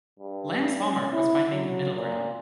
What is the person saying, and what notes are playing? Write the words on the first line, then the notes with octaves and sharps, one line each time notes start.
Lamb's hallmark was finding the middle ground.
G2
C#4
E4
F#3
A#2